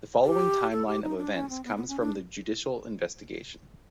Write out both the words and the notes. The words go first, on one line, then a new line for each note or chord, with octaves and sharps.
The following time-line of events comes from the judicial investigation.
G4
A4
G4
D#4
D4
C#4
C4
B3
B3
C#4
D4